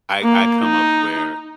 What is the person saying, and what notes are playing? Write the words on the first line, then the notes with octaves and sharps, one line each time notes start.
I I come up where
A#3
D#4